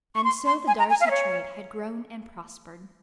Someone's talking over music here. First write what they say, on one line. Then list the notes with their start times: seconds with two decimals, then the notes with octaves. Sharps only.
And so the Darcy trade had grown and prospered.
0.15 C#6
0.24 C6
0.46 C6
0.67 G#5
0.79 A#5
0.90 G#5
1.00 F5
1.07 E5
1.11 C#5